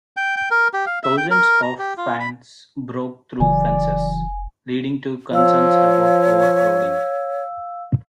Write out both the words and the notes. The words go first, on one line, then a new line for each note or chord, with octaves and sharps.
Thousands of fans broke through fences, leading to concerns about overcrowding.
G5
G5
A#4
G4
F5
E5
G5
A#4
A#5
G4
F4
B5
F1 C#3 E3 F#3 D5 G#5
F3 C#5 F5 E6